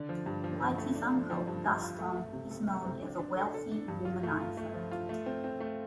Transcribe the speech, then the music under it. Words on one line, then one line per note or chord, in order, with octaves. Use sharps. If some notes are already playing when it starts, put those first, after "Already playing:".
Like his uncle, Gaston is known as a wealthy womanizer.
Already playing: D3 D5
F3
G2
F3
F3
A3
D4
F3
F3
G2
G2
F4
A3
A3
C3
A4
A3
C4
D4
D4
A4
A4
D4
G2
F4
A3
F4
A3
F3
F4
A3
C4
C4
A3